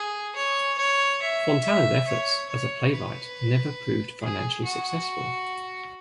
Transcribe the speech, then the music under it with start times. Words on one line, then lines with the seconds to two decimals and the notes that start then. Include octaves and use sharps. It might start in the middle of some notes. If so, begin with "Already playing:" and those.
Fontana's efforts as a playwright never proved financially successful.
Already playing: G#4
0.36 C#5
0.78 C#5
1.22 E5
1.63 E5
2.07 C#5
2.49 C#5
2.93 B4
4.21 G#4
4.65 F#4